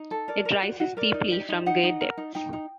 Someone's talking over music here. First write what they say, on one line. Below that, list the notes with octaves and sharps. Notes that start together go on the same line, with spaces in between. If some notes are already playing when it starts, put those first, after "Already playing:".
It rises steeply from great depths.
Already playing: D#4 D#5
A4
A#4 D5
A#4
F#4
F#4
A#4 D5
D#4
G4
D#4
D#4 F#5
D#4
A#4
D#4
D#4 G5
D#4